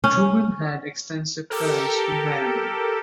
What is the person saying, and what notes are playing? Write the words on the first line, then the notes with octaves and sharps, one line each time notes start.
Truman had extensive ties to Maryville.
C#4
G4 A4 A#4